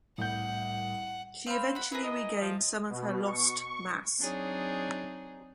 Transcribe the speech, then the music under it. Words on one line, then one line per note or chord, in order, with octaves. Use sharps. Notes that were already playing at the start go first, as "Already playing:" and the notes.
She eventually regains some of her lost mass.
C2 A2 F#5 G6
C4 F5 B5
F#5 B5
E4 G#4 A#4 B4
D#5
F3
B2
C#6
F#3 C4 D4 D#4 G#4 C#5